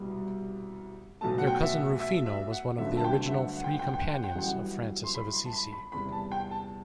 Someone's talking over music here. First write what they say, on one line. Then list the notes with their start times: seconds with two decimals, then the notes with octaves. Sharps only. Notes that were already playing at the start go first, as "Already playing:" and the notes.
Their cousin Rufino was one of the original "Three Companions" of Francis of Assisi.
Already playing: C2 B2 G3
1.21 B1 B2 A3 A5
1.38 F#5
1.47 G5
1.63 E5
1.73 F#5
2.00 E5
2.26 E5
2.52 F#5
2.78 G1 F#2 D3 A3 E5
2.97 A5
3.04 G5
3.26 E5
3.31 F#5
3.57 F#5
3.64 G5
3.72 F#5
3.79 G5
3.87 F#5
3.94 G5
4.01 F#5
4.09 G5
4.16 F#5
4.24 G5
4.31 F#5
4.35 G1 F#2 E3 G3 G5
4.46 F#5
5.04 C6
5.14 B5
5.34 C6
5.46 A5
5.53 B5
5.73 B5
5.92 E2 C3 G3 B5
6.12 A5
6.32 G5
6.51 A5